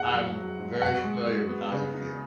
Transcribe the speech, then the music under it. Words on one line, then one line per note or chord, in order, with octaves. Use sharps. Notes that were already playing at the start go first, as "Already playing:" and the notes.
I'm very familiar with how you feel.
Already playing: B3 G#4 F#5
F#3
F#3
G#2
F#4 F#5
G#3
G#3
B3
C#3
D#4